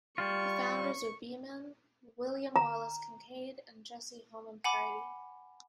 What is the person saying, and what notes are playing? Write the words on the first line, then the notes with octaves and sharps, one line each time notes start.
The founders were Beeman, William Wallace Kincaid and Jesse Homan Pardee.
G3 F4 C#6
A#5
F#5 G#5 B5 D6